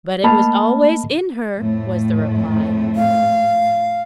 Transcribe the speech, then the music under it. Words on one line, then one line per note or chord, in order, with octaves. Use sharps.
"But it was always in her," was the reply.
A3 A#3 D#5 A5 B5 F6
F2 A2 A3
F5